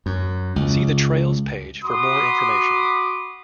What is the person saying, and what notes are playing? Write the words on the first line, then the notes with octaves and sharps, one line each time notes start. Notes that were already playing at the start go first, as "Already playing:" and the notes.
See the Trails page for more information.
F#2
C#2
F#4 B5 C6 D6 D#6